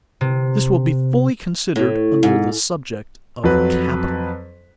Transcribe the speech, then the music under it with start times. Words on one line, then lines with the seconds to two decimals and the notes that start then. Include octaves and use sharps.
This will be fully considered under the subject of capital.
0.21 C3
1.76 A2
2.23 G#2
3.43 F2 F#3 B4